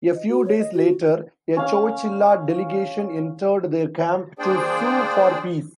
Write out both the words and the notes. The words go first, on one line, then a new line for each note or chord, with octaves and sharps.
A few days later, a Chowchilla delegation entered their camp to sue for peace.
D#5
F#4
C#5
D#5
F#4
C#4 F5
A#3 D4 G#4 C5 D5 G5